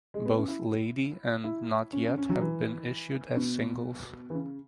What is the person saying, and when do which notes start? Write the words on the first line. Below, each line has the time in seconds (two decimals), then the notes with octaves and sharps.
Both "Lady" and "Not Yet" have been issued as singles.
0.14 G#3
0.26 B3
0.37 C#4
0.48 E4
1.44 E4
1.93 C#4
2.05 C#4
2.17 C#4
2.29 F#3
2.41 E3
3.37 B2
4.30 E3
4.34 C#3